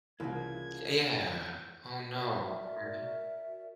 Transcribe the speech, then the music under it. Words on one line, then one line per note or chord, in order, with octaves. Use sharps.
Yeah. Oh, no, really?
C2 C#3 E3 A#3 E4 F4 G#6
F#4 A#4 D5 E5